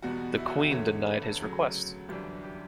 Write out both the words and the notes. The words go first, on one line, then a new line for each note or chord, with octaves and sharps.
The Queen denied his request.
E2 B2 G3 F#4
E4
F#4
G4
E2 D3 A3 C#5
B4
A4
D2 C#3 F#3
G1 F#2 E3 G3 D4 G4
G4